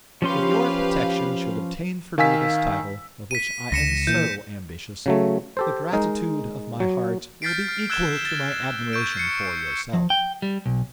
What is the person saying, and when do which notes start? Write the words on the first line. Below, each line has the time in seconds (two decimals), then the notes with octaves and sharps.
If your protection should obtain for me this title, of which I am so ambitious, the gratitude of my heart will be equal to my admiration for yourself.
0.22 F3 C#4 G4 B4 F5 C6
2.18 D#3 F5 G#5 E6 B6
3.31 B6 D#7
3.72 C#2 A#6 C#7 E7
4.07 A#2 E3 G6
5.06 C#3 F#3 A3
5.57 G4 A4 C5
5.93 G#3 D#4 A#4
6.80 F#3
7.42 F6 G6 A6 B6 C7 D7
7.68 F6
7.90 E6 F#6 G#6 A6 E7 G7
8.25 A6
8.93 C#6 G6 D7
9.17 C7 C#7
9.93 F3
10.10 G5
10.42 G3
10.66 B1